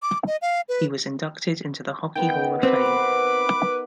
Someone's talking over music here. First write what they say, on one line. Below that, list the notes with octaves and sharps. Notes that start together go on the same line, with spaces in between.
He was inducted into the Hockey Hall of Fame.
D6
D#5
F5
B4
D#3 B3 B4 G5
C4 F#4 B4 D6